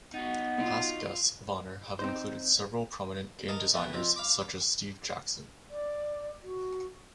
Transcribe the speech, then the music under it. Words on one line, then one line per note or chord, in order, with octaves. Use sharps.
Past guests of honor have included several prominent game designers, such as Steve Jackson.
B3 D#4 F#4
F4
C4 D#4 C5
A#4 D#5 A5
A2 E3 A3 B3
F2 F3 C4
F5 B5 D6
D5
F#4